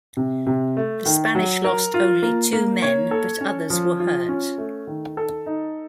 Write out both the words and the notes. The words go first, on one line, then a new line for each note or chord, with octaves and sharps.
The Spanish lost only two men but others were hurt.
C3
C3
A3
D#3
F#3
A#4
F4
A#3
A#3
C#5
A4
C#4
F3
F4
C#4
A3
D#3
A4
D#4